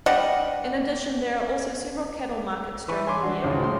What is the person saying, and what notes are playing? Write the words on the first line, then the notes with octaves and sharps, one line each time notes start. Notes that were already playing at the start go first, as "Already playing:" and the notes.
In addition, there are also several cattle markets during the year.
G3 D4 D#5 F#5
E3 B4 E5 C#6
C#5 G#5 C6 D6
D4 F#4
G#1 C#2 C#4 C5
A2 G5 C6